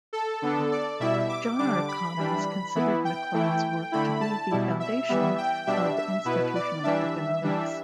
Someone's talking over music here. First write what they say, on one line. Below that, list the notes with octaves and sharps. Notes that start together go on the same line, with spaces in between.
John R. Commons considered Macleod's work to be the foundation of Institutional economics.
A4
D3 B3 D4
D5
B2 G3 E4 E5
D6
D3 G3 D4 D6
B5
E3 G3 D4
E3 B3 E4
G5
E3 A3 E4
D3 A3 E4 B5
A5
B2 G3 E4
E5
E3 G3 B3 E5
G5
B2 G3 D4 E5
E5
B2 B3 E4 B4
D5
E3 G3 D4 E5
E3 G3 D4